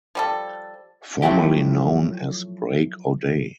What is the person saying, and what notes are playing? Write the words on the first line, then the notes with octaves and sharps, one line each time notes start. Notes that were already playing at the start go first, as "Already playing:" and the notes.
Formerly known as Break O'Day.
F3 G3 A4
F3 F#3 A3 E4 G4